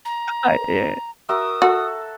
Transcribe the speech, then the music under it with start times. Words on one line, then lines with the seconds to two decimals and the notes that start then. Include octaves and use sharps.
I yeah.
0.05 A#5
1.29 F#4 A#4 E5 D#6
1.62 F#4 A4 F#5